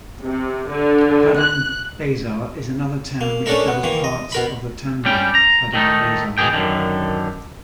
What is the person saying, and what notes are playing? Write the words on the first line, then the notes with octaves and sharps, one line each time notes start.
Padang Besar is another town which covers parts of the "tambon" Padang Besar.
C3
D3
F#6
A#3
A3 C#4 D4 A4 A#4 E5
B3
D#3 E3 A#3
D#5
B2 A#4 B5
G3 C#4 G5
A#5
D#3 A3 D#4
G#2 B2 D#3 G#4 G5
F#2 D3 D#3